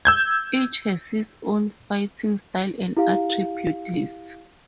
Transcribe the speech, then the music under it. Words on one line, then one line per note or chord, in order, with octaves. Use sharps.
Each has his own fighting style and attributes.
E6 G6 G#6
E4 G4 F5